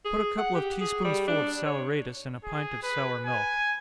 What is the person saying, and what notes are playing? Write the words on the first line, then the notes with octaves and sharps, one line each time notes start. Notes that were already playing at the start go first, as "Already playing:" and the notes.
Put a couple of tea-spoonsful of saleratus in a pint of sour milk.
G#4
F#5
G4
G#4
G3
D4
C#5
G#4
B4
G#5